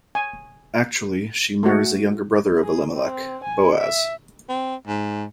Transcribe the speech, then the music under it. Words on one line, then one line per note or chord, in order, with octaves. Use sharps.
Actually, she marries a younger brother of Elimelech, Boaz.
G#5
A3 F#4
G#4
C4
G#5
E5
C4
G#2